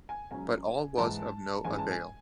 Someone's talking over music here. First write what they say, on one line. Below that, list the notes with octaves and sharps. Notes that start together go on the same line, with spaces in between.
But all was of no avail.
G#5
C#2 C#3 F#3 C#4 G#5
G#2 E3 G#3 A5
G#2 E3 G#3 C#4 G#5
A5
G#5